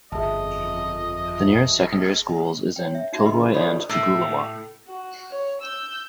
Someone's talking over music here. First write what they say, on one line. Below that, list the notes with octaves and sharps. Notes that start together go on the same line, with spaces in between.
The nearest secondary schools is in Kilcoy and Toogoolawah.
G1 F2 G#4 D#5 E5 A5
C#5 G5
E5
D#4 F#4 E5
F#4 G#4 B4 D#5 B5 C6
D#4 A4 C#5 D5 B5 C6
A2
F#4
C#5
E6 G6